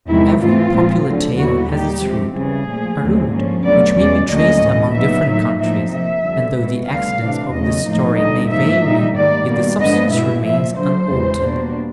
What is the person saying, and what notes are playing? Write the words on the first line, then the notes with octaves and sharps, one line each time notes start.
Every popular tale has its root, a root which may be traced among different countries, and though the accidents of the story may vary, yet the substance remains unaltered.
E2 C3 D#3 G#3 E4
G#2 E3 A3 C4 F4
A#2 F3 G#3 C4
D2 D3 F#3
D#2 D3 G3 B3 E4 F#4
A#2 G3 A#3 D#4 G4
C3 F3 G#3 C4
C#3 E3 G3 G#4
A#2 F3 A3
D#2 D3 F#3 A3 C4
G#2 F3 A#3 C#4
D2 D3 F#3 B3 D5
E2 B2 G#3 C#4 D5
D2 D3 F#3 A#3 C#4 D#5
A2 E3 G#3
A#2 F#3 B3 D#4 E5
A2 F#3 A#3 D#4
A2 F3 A#3 D#4 E5
C3 F3 A#3 E5
F2 D3 G3
B2 G#3 B3
D2 D3 G3 F5
C3 E3 A3 D4
E2 C#3 F#3 A3 D#5
A2 F3 A#3 D#4
D2 D3 G3 D#5
G#2 F3 A#3 D#4 E5
A#2 G3 A#3 D#4
G#2 D#3 G3 A#3 D5
B2 G3 A#3
G2 D3 F3 G#3 B3 D#5
B2 G#3 B3 E4 E5
A#2 F3 A#3 E5
D3 F#3 A#3 D4 C5
E2 C#3 E3 G#3
B2 G3 A#3 D4